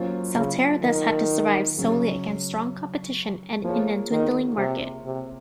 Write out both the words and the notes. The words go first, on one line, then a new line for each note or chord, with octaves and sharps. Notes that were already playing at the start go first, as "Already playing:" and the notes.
Saltair thus had to survive solely against strong competition, and in a dwindling market.
Already playing: F#3 A#3 C#4 F4 C5
C#3
D#3
C#3 F#3 C#4
F3 A#3 F4 G#4 C#5
D#3
C3
C3